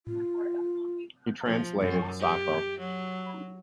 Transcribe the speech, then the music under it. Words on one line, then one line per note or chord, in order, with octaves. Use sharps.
He translated Sappho.
F4
F3
F#2
G4
F#3